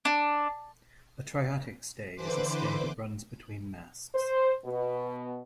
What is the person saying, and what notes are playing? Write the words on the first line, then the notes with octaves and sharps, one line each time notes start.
A triatic stay is a stay that runs between masts.
D4
D3 E3 B4 C5 C6 D6
C5
B2